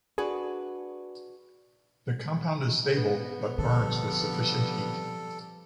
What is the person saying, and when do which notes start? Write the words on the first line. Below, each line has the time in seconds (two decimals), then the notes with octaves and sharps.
The compound is stable but burns with sufficient heat.
0.18 D4 F#4 G#4 B4
2.96 B3
3.58 F2 D3 F3 G3 A4